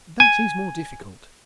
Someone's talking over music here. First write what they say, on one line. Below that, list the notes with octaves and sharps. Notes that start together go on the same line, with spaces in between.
"That is more difficult."
G#5